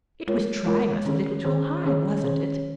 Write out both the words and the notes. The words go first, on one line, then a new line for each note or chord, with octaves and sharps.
It was trying us a little too high, wasn't it?
G#3 F4 A#4 C#5
G#3 F4 A#4 C#5
D#3 C#4 G#4 C#5
D#3 C#4 G#4 C#5
D#3 C#4 G#4 C#5
D#3 C#4 G#4 C#5